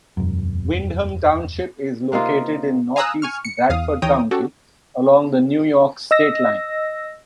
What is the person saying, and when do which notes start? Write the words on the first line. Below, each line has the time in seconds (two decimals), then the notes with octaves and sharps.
Windham Township is located in northeast Bradford County, along the New York state line.
0.17 E1 F#2
2.12 C3 A#3 D#4 F4
2.96 F5 G#5 A#5 D#6 E6 F#6
3.22 G#5 C#6 F6
3.45 C#7
3.69 E2 F5 D#6
4.02 D#2 E3 C#5 G5 A#5 D#6
4.31 C#4 F#4 G4 A4
6.11 D#5 E6 A#6